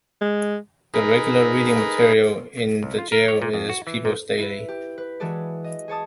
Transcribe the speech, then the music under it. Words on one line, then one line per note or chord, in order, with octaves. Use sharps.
The regular reading material in the jail is "People's Daily".
G#3
D#4 G#4 A#4 B4
C2
F4
A#4
C#5
A#2
F2
F#4
E3
A#2
E4 B4
G4
B4
E3 G#3 F#4 G#4 A4 D5
D#5
G#4 C#5 A5 D#6